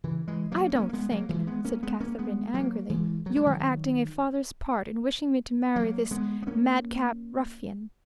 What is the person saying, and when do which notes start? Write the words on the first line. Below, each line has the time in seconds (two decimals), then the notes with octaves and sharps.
"I don't think," said Katharine, angrily, "you are acting a father's part in wishing me to marry this mad-cap ruffian."
0.04 C#3 E3
0.28 E3 G#3
0.52 F#3 A#3
0.75 A#3 C#4
0.89 A#3
0.93 G#3 B3
1.11 F#3 A#3
1.29 E3 G#3
1.47 G#3 B3
1.65 A#3 C#4
1.83 G#3 B3
2.00 A#3 C#4
2.19 G#3 B3
2.54 F#3 A#3
2.90 E3 G#3
3.26 F#3
3.37 G#3
3.46 D#3 F#3
5.76 F#3 A#3
6.11 G#3 B3
6.42 B3
6.47 A#3 C#4